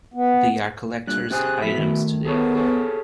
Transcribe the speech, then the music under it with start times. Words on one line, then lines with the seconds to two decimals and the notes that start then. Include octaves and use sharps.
They are collectors' items today.
0.14 B3
1.07 G2 A#2 F#6
1.30 C3 C4 G#4
1.62 B2 F3 E4 B6
1.78 D#3 A3
2.25 B3 G#4 A4 C#5
2.55 G#4 A4 C#5